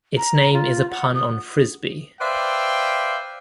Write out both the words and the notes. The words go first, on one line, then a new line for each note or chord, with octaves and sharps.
Its name is a pun on frisbee.
A#5
F4
F#5
D#6
B4 C5 D5 E5 F5 G5